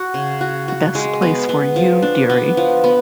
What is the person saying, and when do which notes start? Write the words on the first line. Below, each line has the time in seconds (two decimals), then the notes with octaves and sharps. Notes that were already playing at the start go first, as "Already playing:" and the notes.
The best place for you, deary.
Already playing: F#4
0.14 C#3
0.41 F#4
0.68 F#4
0.95 G#3
1.22 B3
1.49 B3
1.76 F3
2.02 D4
2.30 B3
2.57 F3
2.84 B3